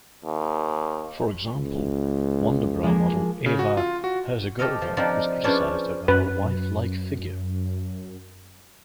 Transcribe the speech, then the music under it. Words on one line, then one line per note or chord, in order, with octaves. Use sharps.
For example, Wonderbra model Eva Herzigova was criticized over her waif-like figure.
D#2
C#2
F3 G#3 A#3
C#3
F#4
F4
F#4
G4 A4 C5 D#5 F5
F3
F3 C4 D4 D#4 F4
C#4 D4 F4 G#4 B4 C5
F#2 B4